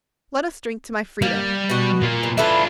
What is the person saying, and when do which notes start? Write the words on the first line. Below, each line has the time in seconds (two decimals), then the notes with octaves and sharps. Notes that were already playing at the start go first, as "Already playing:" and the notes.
Let us drink to my freedom.
1.22 G3 A#3
1.70 B2 F#4
2.01 A#2 F4
2.23 B2
2.38 D4 E4 F4 A4 B4